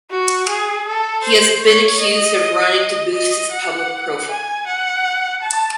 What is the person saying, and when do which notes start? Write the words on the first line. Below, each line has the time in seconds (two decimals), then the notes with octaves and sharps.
He has been accused of running to boost his public profile.
0.10 F#4
0.48 G#4
0.87 A4
1.24 C5
1.63 C#5
2.00 D#5
3.14 D#5
3.51 F#5
4.28 G#5
4.67 F#5
5.42 A5